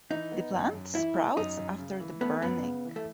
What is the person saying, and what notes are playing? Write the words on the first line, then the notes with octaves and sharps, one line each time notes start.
The plant sprouts again after burning.
E3 D#4
B3
F#2
F#2
E3 E4
B3
F#2 D#4
F#2
C#3
E3
A3 B3
F#2 B3
C#3
E3
A3